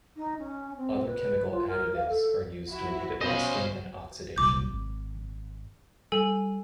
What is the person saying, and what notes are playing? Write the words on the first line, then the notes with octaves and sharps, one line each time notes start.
Other chemical additives are used to inhibit rusting and oxidation.
D#4
C#4
C4
B4
F4
A#4
F5
A4
E4 F#4
B2 C#4 C5 D#5 F5 B5
D#1 C2 F#3 D6 G6
G#1
G3 A4 G#5 E6